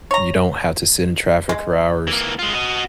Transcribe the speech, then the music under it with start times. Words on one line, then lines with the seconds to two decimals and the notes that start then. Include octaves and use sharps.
you don't have to sit in traffic for hours.
0.11 C#5 A#5
1.49 G#3
2.07 E3 A#3
2.39 G#3 F4
2.54 F#4 D#5